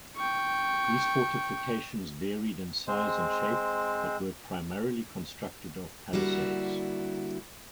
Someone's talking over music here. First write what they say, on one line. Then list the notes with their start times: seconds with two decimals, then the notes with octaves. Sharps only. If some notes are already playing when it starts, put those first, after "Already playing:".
These fortifications varied in size and shape but were primarily constructed of palisades.
0.17 G5 C#6
2.87 G#3 C4 C5
6.13 D3 G3 A#3 E4 F#4